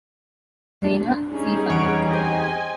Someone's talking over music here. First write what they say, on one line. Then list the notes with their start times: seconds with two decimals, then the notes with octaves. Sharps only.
Jaina C. Sanga.
0.84 D4
1.32 G3 C4 C#4 D#4 G#4
1.70 E2 C#5 F#5 D7
2.11 G4 C5 D#5 G#5